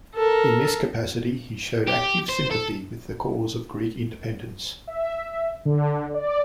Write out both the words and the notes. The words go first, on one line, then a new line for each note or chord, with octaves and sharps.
In this capacity, he showed active sympathy with the cause of Greek independence.
A4 A#4
G4
C5
A4
E5
D3
D5